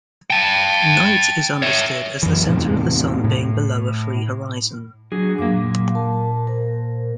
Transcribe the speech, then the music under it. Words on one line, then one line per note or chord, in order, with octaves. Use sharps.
"Night" is understood as the center of the Sun being below a free horizon.
G5 A5
C#5 E5
F#2 E3
E2 A2 C3
A2
F#3 D4 F#4 G#4
F#2 F#3 A#3 F5 D6
A#2
A#4 A5
A#4 C5